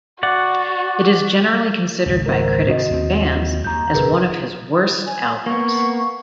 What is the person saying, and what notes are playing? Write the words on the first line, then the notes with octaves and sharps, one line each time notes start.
It is generally considered by critics and fans as one of his worst albums.
F#4 D5 F#5
G#1 C#2
A#4 C5
C3 D#3 F#4 D#5
D#2 C4
D#2 A#5 G6
F1 A#2 G#4 A#4 B4
G#5
A#3 B3 C#6